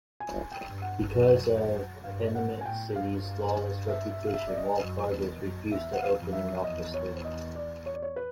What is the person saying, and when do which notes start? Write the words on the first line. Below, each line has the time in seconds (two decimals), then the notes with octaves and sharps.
Because of Panamint City's lawless reputation, Wells Fargo refused to open an office there.
0.20 G#5
0.52 G5
0.67 G2
0.82 F#5
1.12 F#2
2.04 G2 F5
2.35 G#2 F#5
2.61 G#5
2.65 A2 G5
2.96 G2 F5
3.88 E5
4.11 E5
4.27 F5
4.34 E5
4.47 D5
4.57 D#5
4.80 F#2
5.11 E2
5.41 F#2
5.72 E2 E5
5.93 F#5
6.02 F5
6.17 F2
6.33 E5
6.63 E2 D#5
6.94 C#5
7.25 D#5
7.55 D5
7.86 C#5
7.94 D5
8.02 C#5
8.16 B4